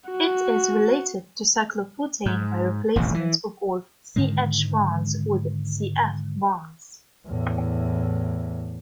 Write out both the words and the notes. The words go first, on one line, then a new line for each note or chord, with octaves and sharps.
It is related to cyclobutane by replacement of all C-H bonds with C-F bonds.
F#4
G#2
D#1 A1 F2 C3
E3
G#2 D3 D#3 G#3
E2 A2